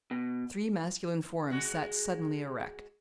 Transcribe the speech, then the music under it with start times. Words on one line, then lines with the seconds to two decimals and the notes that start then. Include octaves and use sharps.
Three masculine forms sat suddenly erect.
0.11 B2
1.50 G#3 F#4